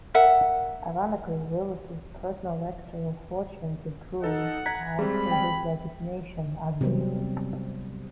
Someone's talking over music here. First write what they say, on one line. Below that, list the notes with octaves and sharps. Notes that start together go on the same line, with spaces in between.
Ironically, Willis's personal electoral fortunes improved after his resignation as leader.
A#4 E5 F#5
D#4 A4 D#5 F#5
A#5 F#6 G#6 B6
G3 G#3 C4 G#4 B5
G5
C3 F#3 G3 B3 C4